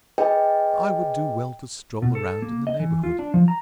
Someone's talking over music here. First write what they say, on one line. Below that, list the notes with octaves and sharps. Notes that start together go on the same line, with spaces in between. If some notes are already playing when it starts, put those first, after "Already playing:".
I would do well to stroll around in the neighborhood.
G#4 B4 D#5 G5
B2
A4
A#3
D#5
E3
F4
D4
F3
A#5